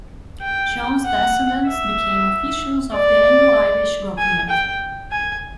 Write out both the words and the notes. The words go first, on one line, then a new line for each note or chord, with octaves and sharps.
John's descendants became officials of the Anglo-Irish government.
G5
F#5
E5
D5
G#5
G5
G#5